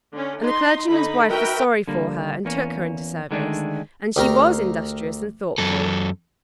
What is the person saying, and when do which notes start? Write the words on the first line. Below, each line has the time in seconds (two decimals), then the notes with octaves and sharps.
And the clergyman's wife was sorry for her and took her into service; and she was industrious and thoughtful.
0.12 D3 C#4
0.42 D#4 C6
0.90 D3 D#4 B5
1.31 F#4 A#4 B4 E5 G5
1.88 D3 G3 A#3
2.45 E2 A#3 C#4
3.31 D3 D#3 G#3 A3 D4
4.16 D2 G4 A#4 A#5
5.58 F#2 A4